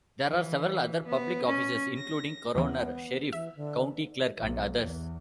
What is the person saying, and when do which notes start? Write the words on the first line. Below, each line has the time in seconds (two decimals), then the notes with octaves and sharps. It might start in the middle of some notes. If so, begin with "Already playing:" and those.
There are several other public offices including Coroner, Sheriff, County Clerk and others.
0.24 E3
1.08 B3
1.47 C#4
1.97 A#6
2.55 D#2 E3 B3
3.33 E3 E5
3.55 D3
4.38 B1
4.82 E2